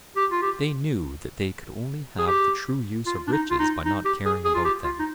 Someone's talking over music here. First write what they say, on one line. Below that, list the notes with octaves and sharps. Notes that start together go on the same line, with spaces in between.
They knew that they could only have the true use of riches by not caring about them.
G4
F4
G4
G#4
G4
F4
D4
D#4
F4
D#4
D#4
G4
G#4
G#4
F4
G4
F4
D#4